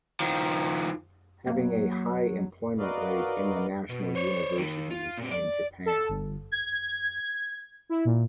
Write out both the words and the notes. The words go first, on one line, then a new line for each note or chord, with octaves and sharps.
Having a high employment rate in the national universities in Japan.
D#3 F3
F#3 A#3
F#4 A#4 B4 D5 D#5 F5
B2
C5 C#5
D#3 A#3
F4
A#2 C4
D5
A4
G1
G#6
E4
A#2